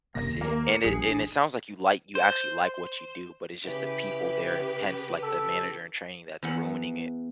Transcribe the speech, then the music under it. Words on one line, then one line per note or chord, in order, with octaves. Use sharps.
I see. And it and it sounds like you like you actually like what you do, but it's just the people there- hence, like, the manager-in-training that's ruining it,
F#1 C3 A#3 A#6
D#2
A#3
C#7
A#1 G2 F3 G#4
A1 D4
C5
C#3 E3 G4 B4
A4
E2 F#5